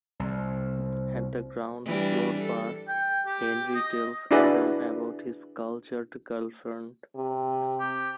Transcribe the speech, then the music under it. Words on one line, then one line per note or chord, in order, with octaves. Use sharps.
At the ground-floor bar, Henri tells Adam about his cultured girlfriend.
C2
E3 G3 D4
A4
G5
G4
D#5
D4 E4 F#4 G#4 B4 D5
C3
G4